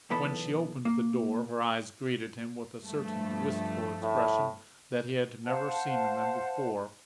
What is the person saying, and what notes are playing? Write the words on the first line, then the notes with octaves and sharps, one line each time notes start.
When she opened the door her eyes greeted him with a certain wistful expression that he had never seen in them before.
B1 E2 B3 A4 B5
A#3
G2 F3 A3
A2
C5 F5 F#5 A5